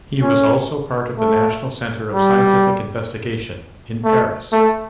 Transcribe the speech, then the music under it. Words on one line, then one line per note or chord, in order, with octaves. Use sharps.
He was also part of the National Center of Scientific Investigation in Paris.
C#4
A3
G3
A3
A3